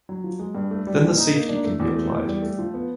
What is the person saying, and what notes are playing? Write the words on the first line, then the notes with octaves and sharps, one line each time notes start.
Then the safety can be applied.
F#3
F3
G#3
G2
A3
G3
A#2
D#4
A#3
D4
A3
E2
A3
E2
G3
A3
F3
B3